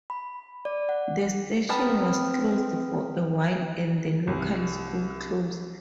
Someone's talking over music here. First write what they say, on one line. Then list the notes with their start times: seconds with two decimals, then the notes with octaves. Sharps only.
The station was closed for a while and the local school closed.
0.10 B5
0.65 D5
0.89 F#5
1.69 B3 C4 A#4 B4 G5 A5 B5 F6
4.27 C2